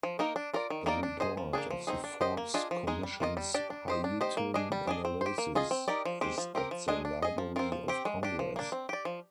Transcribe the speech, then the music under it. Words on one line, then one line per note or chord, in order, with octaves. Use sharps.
The report of the Forbes Commission's Haitian analysis is at the Library of Congress.
F3
A#3 D#4 A#4
D4
F4 A#4 D5
D#3
A#3 D#4 A#4 D5
D4
G#4 C5 D#5
F3
A#3 D4 G#4
F3
C4 D#4 G#4
D4
G4 C5 D#5
A#3
D4 F4 G#4 D#5
F3
G#3 D#4 G#4
G3
A#3 F4 C5 D#5
G3
D4 G4 D5
D4
G4 C5 D#5
D4
G4 C5 D#5
A#3
D4 G#4 D#5
G3
D4 G#4 D#5
C4
G4 C5
A#3
F4 G#4 D#5
C4
D#4 G4 A#4 D5
F3
G#3 C4 G4 C5
F3
C4 G4 A#4
F3
G#3 D4 G#4 D#5
D4
G#4 D#5
F3
C4 F4 A#4
F3
C4 G4
G#3
D4 G4
F3
A#3 D4
C4
G4 D5
F3